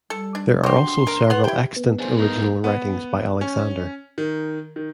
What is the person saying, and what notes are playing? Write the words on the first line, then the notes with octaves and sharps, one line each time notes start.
There are also several extant original writings by Alexander.
G3 A4
D4
D4 F#4 G4 C6
A#4
B3 B4 F#5
E4 G4 G5
B3
D4 G#4 C5
G#3 A#3 D#4
B3
C#4
D#3
D#3